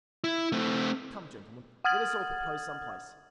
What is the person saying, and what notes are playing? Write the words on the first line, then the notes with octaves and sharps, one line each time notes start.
Come, gentlemen, let us all propose some place.
E4
A3 C4
F#5 D#6 F6 G#6 A6 F#7